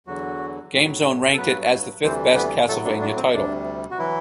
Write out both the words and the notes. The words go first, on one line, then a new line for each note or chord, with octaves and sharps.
GameZone ranked it as the fifth best "Castlevania" title.
E2 D3 F#3 F#4
A2 F#3
A4
G2 F#3 B3 B4
D2 C3 E3 G3 C4 C5
B3 B4
A2 F#3 A3 A4
D4
D4
C4
D2 C3 G3 D4
F#4
E3 F#3 E4